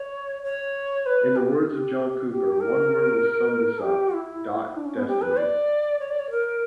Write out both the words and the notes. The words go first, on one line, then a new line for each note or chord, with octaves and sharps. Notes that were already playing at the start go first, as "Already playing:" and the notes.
In the words of John Cooper, One word will sum this up.. dot destiny.
Already playing: C#5
C#5
B4
G4
G4
G4
A#4
G4
E4
D4
C#4
B3
G4
B4
D5
C#5
D5
C#5
A#4